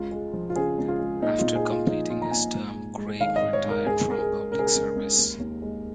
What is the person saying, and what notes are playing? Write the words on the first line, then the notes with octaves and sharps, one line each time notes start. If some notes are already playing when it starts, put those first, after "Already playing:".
After completing his term, Craig retired from public service.
Already playing: C#2 F4
G#3
F3
F4
C#3 G#4
C#2
F4
G#3
A#2 D#4
F4
A#2
G#4
G#3
F4
F3 D#4
A#2 F4
A#5
A#2 G#5
G#2
G#2
G#3
D#3 F5
D#5
G#2
C#5
G#2
A#4
C#2 G#4
C#2 A#4
G#4
G#3
C#3 A#4
G#4
A#4
C#2
C#2
D#2
D#2
G#3